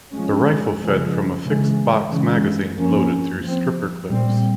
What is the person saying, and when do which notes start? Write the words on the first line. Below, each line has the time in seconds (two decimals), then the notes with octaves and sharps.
The rifle fed from a fixed box magazine, loaded through stripper clips.
0.14 F3 G#3 C#4
0.80 C#3 F3 G#3
1.46 C#3 E3 G#3
2.11 C#3 E3 G#3
2.77 F3 A#3 C#4
3.42 F3 C4
4.08 A#2 G3 C4